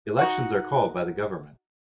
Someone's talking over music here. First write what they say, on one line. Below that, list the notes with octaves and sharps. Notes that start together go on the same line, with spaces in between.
Elections are called by the government.
D#4 F#4 F#5